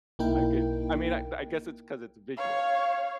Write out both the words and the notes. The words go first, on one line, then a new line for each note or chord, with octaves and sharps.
I could I mean, I I guess it's because it's visual,
B1 A#3 D#4 E4 A#4 G5
C#5 F5